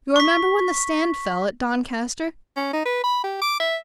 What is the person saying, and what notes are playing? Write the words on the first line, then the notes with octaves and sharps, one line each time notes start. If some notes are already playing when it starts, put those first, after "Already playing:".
You remember when the stand fell at Doncaster?
C#6 B6
C#4
D#4
B4
B5
G4
D6
E5